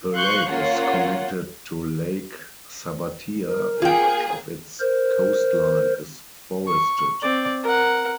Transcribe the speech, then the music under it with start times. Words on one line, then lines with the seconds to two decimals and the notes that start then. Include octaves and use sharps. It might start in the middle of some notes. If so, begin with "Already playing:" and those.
The lake is connected to Lake Sabbatia and much of its coastline is forested.
0.13 F5 C6 C#6 F#6 G6
0.48 A#3 C#4 F4 C#5 F#5
3.47 A#4
3.82 A#3 F4 G#4 G5
4.80 A#4 C5
6.67 C#6
7.22 C4 D5
7.63 A#4 F#5